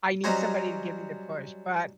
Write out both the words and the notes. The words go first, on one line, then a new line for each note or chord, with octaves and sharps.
I need somebody to give me the push, but
F#3 G3 C#4 C5 D#5 A#5